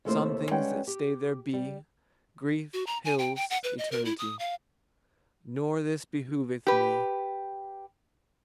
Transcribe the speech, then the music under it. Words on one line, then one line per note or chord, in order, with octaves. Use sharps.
Some things that stay there be, -- Grief, hills, eternity: Nor this behooveth me.
D#2 C3 A3 A#3 E4 C5
G3 G#3 C#4 B4 F#5 G5
G4
G3
F#4
A#5
G#5
G5
G5
F#5
B4
D#5
A#4
E4
D#6
F5
G4 B4